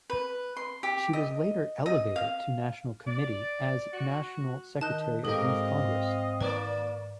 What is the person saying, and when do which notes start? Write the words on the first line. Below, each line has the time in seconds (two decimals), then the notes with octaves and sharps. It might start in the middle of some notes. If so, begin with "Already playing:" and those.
She was later elevated to national committee as national secretary of Youth Congress.
0.10 B4
0.57 C6
0.83 G4
1.13 D#5
1.86 D#5
2.16 F5
3.06 D5
3.93 F#4
4.81 D#3 D#5 A5 F#6 G6
5.25 G#2 C4 G4 A4 A#4 D#5 F5
6.41 D#3 A#3 B4 D5